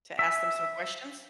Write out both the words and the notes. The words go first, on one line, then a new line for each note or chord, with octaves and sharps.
to ask them some questions?
E5